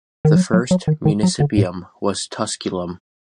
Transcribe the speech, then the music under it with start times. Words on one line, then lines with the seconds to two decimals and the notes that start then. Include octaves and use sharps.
The first "municipium" was Tusculum.
0.25 D#3
0.36 F#3
0.53 F#3
0.71 F#3
0.87 D#3
1.05 D#3
1.23 F#3
1.40 D3
1.57 A2